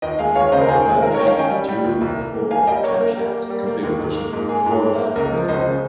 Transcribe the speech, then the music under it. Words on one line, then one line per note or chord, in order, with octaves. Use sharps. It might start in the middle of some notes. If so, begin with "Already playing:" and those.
The valve train is a dual overhead camshaft configuration with four valves per cylinder.
D#2 D#5 G5
G#3 F5 G#5
D#2 C#5 F5
F5
C#3 C5 D#5
A#4
D#2 G#4 C5
G#3 G#4
D#3 A#4
A#4 C#5
D#3 G5
C#5 F5
C#4 D#5 G5
G3
G3
D#2
C2
A#3
A#3
A#3 F5 G#5
G3 D#5 G5
A#3 A#4 C#5
A#3 A#4
G3
A#3
G3
A#3
D#2
G#2
A#3
G#2
A#3 G#4
G#2
A#3
A#3
C#2 A#4
F3
C#2 C5 D#5
C#3